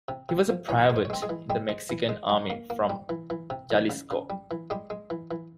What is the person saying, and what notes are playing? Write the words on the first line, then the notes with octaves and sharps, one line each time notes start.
He was a private in the Mexican army from Jalisco.
C3
C3
F3
E3 C#4 C#5
G#3
C5
C#5
G#3 C4 C5
G#3 G#4
E3
G3 G#3 G4
G#3
E3
G#3
G3
A#3
A#3
G3
E3
E3
C3
E3
C#3
C#3
G3
E3
G3 G#3 G4
G#3
E3
E3